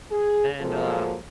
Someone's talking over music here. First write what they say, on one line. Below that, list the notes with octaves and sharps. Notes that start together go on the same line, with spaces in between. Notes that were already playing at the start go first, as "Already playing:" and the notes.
And, uh,
G#4
F3 F#3 G#3 A#3 A4